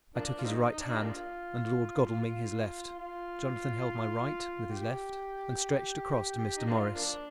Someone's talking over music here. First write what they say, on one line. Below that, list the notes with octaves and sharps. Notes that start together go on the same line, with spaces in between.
I took his right hand, and Lord Godalming his left; Jonathan held my right with his left and stretched across to Mr. Morris.
F3 A#3 D4
F4
G3 C4 D#4
D#4
D4
D#4
G4
A#3 D4 F4
F4
G4
G4
D#4
A#3 D4 F4
F3 A#3 D4